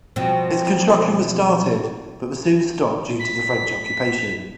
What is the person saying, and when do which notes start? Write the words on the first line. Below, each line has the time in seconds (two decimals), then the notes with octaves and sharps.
Its construction was started, but was soon stopped due to the French occupation.
0.16 B2 F3 C4
3.20 B6